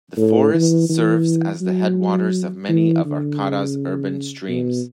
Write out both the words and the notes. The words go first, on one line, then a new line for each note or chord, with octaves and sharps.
The forest serves as the headwaters of many of Arcata's urban streams.
A2
E3
E3
F#3
E3
D3
C#3
B2